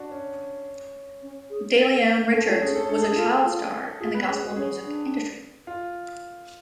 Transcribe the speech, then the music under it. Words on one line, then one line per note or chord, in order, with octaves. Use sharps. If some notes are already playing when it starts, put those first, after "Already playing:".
DeLeon Richards was a child star in the gospel music industry.
Already playing: D4 F#4
C#4
C#4
G#4
B4
A4
B4
A3 A4
C#4 F4
C#4 G#4
D4
C#4 A4
D4 A4
G#4
D4
F4 A4
F4
F4 G#4
B3 B4
C#4 G#4
F#4
C#4 G#4
D4
F4